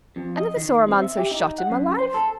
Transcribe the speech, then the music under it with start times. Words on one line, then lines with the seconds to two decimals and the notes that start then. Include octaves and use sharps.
I never saw a man so shot in my life.
0.16 F2
0.36 D#5
0.56 D#3
0.88 C4
1.01 E5
1.17 G4
1.31 D#4
1.58 F#5
1.70 F#2
1.99 C5
2.14 A4